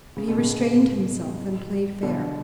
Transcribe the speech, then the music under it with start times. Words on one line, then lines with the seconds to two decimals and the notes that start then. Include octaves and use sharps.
But he restrained himself and played fair.
0.17 C#3
0.28 B2
0.38 A2 C#3
2.03 B2 D3